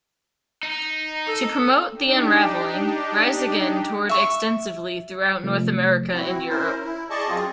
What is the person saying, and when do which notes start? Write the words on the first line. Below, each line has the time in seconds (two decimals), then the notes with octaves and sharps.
To promote "The Unraveling", Rise Against toured extensively throughout North America and Europe.
0.63 D#4
1.26 A4
1.94 D4 D#4 G4
4.09 E5 C#6
5.43 C3 F3 A3
6.12 C4 E4 F#4
6.49 C#4 E4 A#4 C5
6.84 E4
7.10 G#4 D5 D#5 A5 C#6
7.28 F#2 C4 F4 G#4